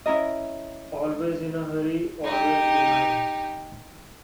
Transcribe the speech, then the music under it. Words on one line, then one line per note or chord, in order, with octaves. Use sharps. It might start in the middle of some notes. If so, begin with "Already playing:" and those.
Always in a hurry, always behind.
C#4 E4 A#4 D#5
D#4 G4